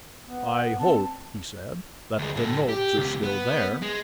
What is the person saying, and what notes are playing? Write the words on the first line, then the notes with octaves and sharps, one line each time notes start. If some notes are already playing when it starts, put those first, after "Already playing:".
"I hope," he said, "that the notes are still there?"
B3
C4 A5
D2 G#3
A2 D3
G4
C#2 G4
B3
G#3